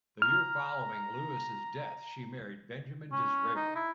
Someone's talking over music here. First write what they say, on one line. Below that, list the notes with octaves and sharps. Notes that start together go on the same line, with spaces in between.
The year following Lewis's death she married Benjamin Disraeli.
A#5 F6
C#4
D#4
E4